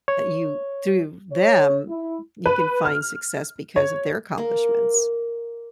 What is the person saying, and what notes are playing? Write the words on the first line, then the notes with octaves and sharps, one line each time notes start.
that you through them you can find success because of their accomplishments.
C#5
C#5
E4
B4
F6
C#5
A#3